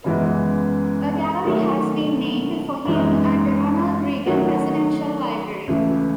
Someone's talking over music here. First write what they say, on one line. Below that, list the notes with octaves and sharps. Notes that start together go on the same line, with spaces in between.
A gallery has been named for him at the Ronald Reagan Presidential Library.
F#2 C#3 E3 G#3 B3
D#3 F#3 A3
F#2 E3 G#3 D#4
D#3 F#3 A3 C#4 F#4
C#2 C#3 E3 A3